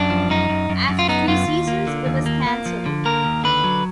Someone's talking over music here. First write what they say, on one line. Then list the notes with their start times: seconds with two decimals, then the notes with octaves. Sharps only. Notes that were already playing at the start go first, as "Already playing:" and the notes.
After three seasons, it was canceled.
Already playing: F#2 D4
0.10 F3
0.30 F#2 D#4
0.50 F#2
0.70 F#2
0.89 F#2
0.99 F4
1.08 B3 D#4
1.28 F#2 F4
1.47 D#2
1.68 A#3
1.87 D3
2.06 D#2
2.26 A#3
2.47 A#3
2.66 F3
2.86 D3
3.05 A#3 A#4
3.25 D#2
3.44 D3 B4
3.64 F#3